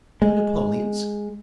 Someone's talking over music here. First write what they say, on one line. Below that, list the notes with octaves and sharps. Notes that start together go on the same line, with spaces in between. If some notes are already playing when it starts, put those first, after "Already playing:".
"Two napoleons."
G#3